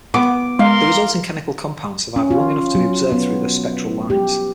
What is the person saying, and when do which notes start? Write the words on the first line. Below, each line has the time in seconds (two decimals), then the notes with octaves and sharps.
The resulting chemical compounds survive long enough to be observed through their spectral lines.
0.14 B3 D6
0.59 G#3 A#4 F5 C6
2.16 C#4
2.31 F4
2.75 F#3
3.12 B3
4.10 G4